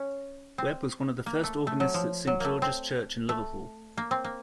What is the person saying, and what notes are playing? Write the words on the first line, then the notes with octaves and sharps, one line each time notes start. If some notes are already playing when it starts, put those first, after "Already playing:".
Webbe was one of the first organists at Saint George's Church in Liverpool.
Already playing: C#4
C4
A#3
A3
A3
F#3
F3
F#3
A3 A#3
C4
A3
A#3
C4
A#3